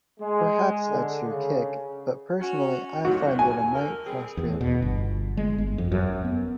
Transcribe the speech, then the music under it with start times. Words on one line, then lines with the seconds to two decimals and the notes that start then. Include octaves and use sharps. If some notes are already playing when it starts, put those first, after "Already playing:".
Perhaps that's your kick, but personally I find it a mite frustrating.
0.20 G#3
0.89 D3
1.28 C#3
2.40 C#4 F#4
3.05 C3 D#3 F#3 F#4
3.39 G#5
3.73 D3 A4 A#4
4.05 G3 C4 G#4
4.37 E2
4.61 B2
4.82 G1
5.37 G#3
5.58 G1
5.78 F2
5.92 F#2
6.24 B3